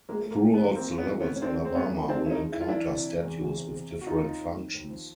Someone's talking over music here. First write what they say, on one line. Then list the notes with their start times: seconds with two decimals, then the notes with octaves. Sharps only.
Throughout the levels Alabama will encounter statues with different functions.
0.09 A#1 G#3 A#3
0.22 A3
0.26 A2 G#3 A#3
0.42 A#1
0.53 A3 B3
0.59 E3
0.75 A#1 A#3 C4
0.92 E3
0.98 B3 C#4
1.09 E3
1.20 B3 C#4
1.25 A2
1.36 C#4
1.42 F2 C4 D4
1.58 C#3
1.65 C4
1.75 F2 B3 C#4
1.91 F2
2.08 F3 C4 D4
2.24 F3 E4
2.30 C#4 D#4
2.42 C#3
2.52 E4
2.58 F#1 F4
2.68 D4 E4
2.75 E3
2.91 C3
3.08 E3
3.24 E2
3.42 E2
3.57 C3
3.75 C3
3.91 C3
4.01 F#4
4.07 D#2 D#4 F4
4.24 D#2
4.41 D#2
4.57 D#2
4.74 D#2
4.90 F3